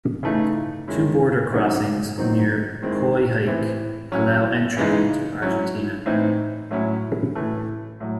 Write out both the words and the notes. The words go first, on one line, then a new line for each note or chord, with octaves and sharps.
Two border crossings near Coyhaique allow entry into Argentina.
C#3 E3 A3 D#4
D#3 G#3 C#4 E4
C#3 F#3 C4 D#4
D#3 F#3 C4 D#4
D#3 G#3 C4 E4
A2 E3 C4 E4
F#3 C#4 E4
C#3 E3 G#3 D#4
F#3 C#4 E4
A2 E3 C4 D#4
A2 F#3 C#4 E4
A2 E3 A3
A2 F#3